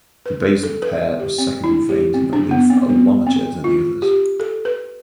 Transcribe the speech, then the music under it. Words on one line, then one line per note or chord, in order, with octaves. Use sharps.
The basal pair of secondary veins in the leaf are larger than the others.
B4
A4
B4
G4
C4
E4
G4
C4
D4
B3
C4
B3
C4
F4
G4
A4
B4